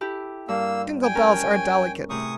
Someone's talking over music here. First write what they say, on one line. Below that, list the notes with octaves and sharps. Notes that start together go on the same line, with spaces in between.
Dingle-bells are delicate.
E4 G4 A4
G2 A#3 E6
G5 G#5
C#4 A#4 A5
A2 C3 G#4 C#6 D#6